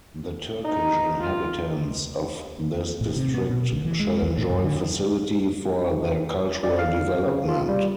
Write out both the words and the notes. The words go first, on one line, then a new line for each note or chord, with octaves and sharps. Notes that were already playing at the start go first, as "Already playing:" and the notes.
The Turkish inhabitants of this district shall enjoy facility for their cultural development.
D#4
F4
A2
C3
B3
B2
D2
E3
G#3
D#2
A2
F#2
D3
D5
F5
C#3
F4
G3